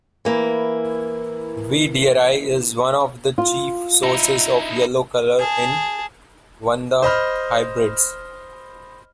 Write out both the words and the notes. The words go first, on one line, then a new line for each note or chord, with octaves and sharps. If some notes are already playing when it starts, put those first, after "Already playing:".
"V. dearei" is one of the chief sources of yellow color in "Vanda" hybrids.
E3 A#3 E4
F4
D#4 E4
G#4 A5
C5 D#5 B5 F6